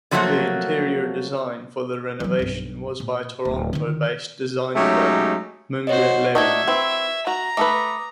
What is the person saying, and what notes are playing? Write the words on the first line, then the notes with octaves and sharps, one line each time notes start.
The interior design for the renovation was by Toronto-based design firm, Munge Leung.
D3 F3 F#3 A3 A#3 F#4
E3 F#3
B1 G2
A#2
D1
D3 D#3
F#3 G#3 A3 C#4 D#4 G4
F#4 C5 C#5 D#5
A3 D4 D#4 E5 C#6 G#6
E3 C4
F#4 A#5
A3 A4 B4 D6 D#6